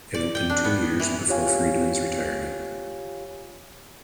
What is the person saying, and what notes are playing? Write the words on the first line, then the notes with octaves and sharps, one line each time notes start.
It opened two years before Friedman's retirement.
D5
G5
D4
B3
E3
F4 G4 C#5 F5 G#5